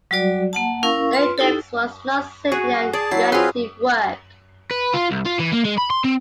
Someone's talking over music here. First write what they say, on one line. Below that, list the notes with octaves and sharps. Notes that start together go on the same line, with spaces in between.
The "Index" was not simply a reactive work.
F#3 G3 F#4 D5
A#3 F#5 A5
C#4 E4 A#4 F5 C#6
F4 B4 C6
D#4 E4 G4 A4
F#4 G#4
G#4 D5 A5
F#3 E4 C7
C4 F4 G#4 B4 F5 C6
B4
F4
C2
F4
E3
A#3
G#3
B5
C6
C4